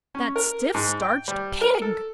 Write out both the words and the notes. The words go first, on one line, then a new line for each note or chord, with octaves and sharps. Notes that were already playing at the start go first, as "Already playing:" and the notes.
'That stiff-starched PIG!'
C#4
A#4
G#2
G5
G3
A#4
A4